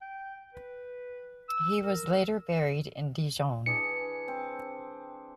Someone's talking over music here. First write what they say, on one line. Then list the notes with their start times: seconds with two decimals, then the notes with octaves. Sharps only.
He was later buried in Dijon.
0.02 G5
0.55 B4
1.49 E6
1.83 A#4
3.66 E3 D4 G#4 C#7
4.28 C4